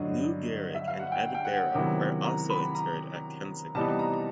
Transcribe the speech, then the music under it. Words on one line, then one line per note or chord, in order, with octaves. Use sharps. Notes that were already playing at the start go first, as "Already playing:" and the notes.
Lou Gehrig and Ed Barrow are also interred at Kensico.
Already playing: G2 D3 F#3 D#5
E5
F5
F#5
G5
F#5
G5
F#5
C3 D#3 F#3 B3 E4
A#5
B5
A#5
C3 E3 G3 B3 D#4 A5
A#5